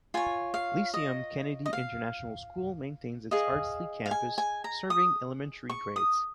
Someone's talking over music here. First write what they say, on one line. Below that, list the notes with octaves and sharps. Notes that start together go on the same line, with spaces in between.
Lyceum Kennedy International School maintains its Ardsley campus, serving elementary grades.
F4 C#5 G#5
F5
D#5
D#5
F5
G#4 D#5 F5
F5
G#5
G#5
A#5
D#6
C#6
D#6